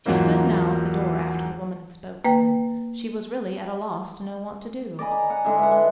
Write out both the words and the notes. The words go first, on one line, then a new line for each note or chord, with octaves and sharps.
She stood now at the door after the woman had spoken, and she was really at a loss to know what to do.
E2 G#2 F3 F#3 A#3 D#4
A#3 B4 G5
D5 D#5 G#5 B5
A#5
F#5 G#5
D3 G#3 D4 E4
B4 F#5
G#3 D5 G5